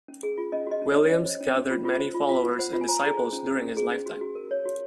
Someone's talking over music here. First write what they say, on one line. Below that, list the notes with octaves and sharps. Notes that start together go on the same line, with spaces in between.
Williams gathered many followers and disciples during his lifetime.
C#4
G#4
F4
C#4 D#5
F#4 D#5
C#4
C#5
C#4
C#4 D#5
C5
C#4
C#4
F4
F4
C5
F4
F4 F5
F4
C5 F#5
F4
G#5
C5 A#5
G#4
C5
C#4
C5
C#4
G#4
C#4
F#4
F#4
A#4
C#5
F#4